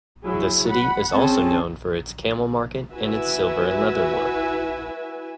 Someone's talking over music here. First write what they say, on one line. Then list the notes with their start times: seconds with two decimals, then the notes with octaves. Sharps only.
The city is also known for its camel market and its silver and leatherwork.
0.24 F#3 E4 G#4
0.69 F#5 B5
1.13 C4 C#4 G#4 A5
2.93 E4 F#4 B4 E5 G#5